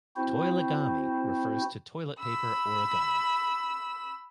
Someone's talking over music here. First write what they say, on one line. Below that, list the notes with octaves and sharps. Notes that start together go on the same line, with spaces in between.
"Toilegami" refers to toilet paper origami.
C4 E4 F#4 C5
B5 E6